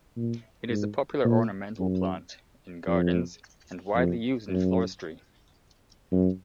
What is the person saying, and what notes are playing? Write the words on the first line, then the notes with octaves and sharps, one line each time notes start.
It is a popular ornamental plant in gardens, and widely used in floristry.
A#2
G#2
A#2
F#2
F2
F2
F#2
F#2